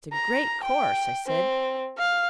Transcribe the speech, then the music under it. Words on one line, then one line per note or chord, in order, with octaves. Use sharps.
"It's a great course," I said.
A#5
G5
C4
F5